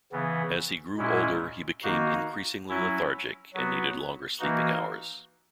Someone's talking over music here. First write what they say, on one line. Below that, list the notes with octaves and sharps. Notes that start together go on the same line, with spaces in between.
As he grew older, he became increasingly lethargic and needed longer sleeping hours.
C#3 E3 B3
A#2 G#3 C#4 E4
D#3 A#3 D#4 F#4
F#3 C#4 E4
F#3 B3 F#4
E3 A#3 D#4 F#4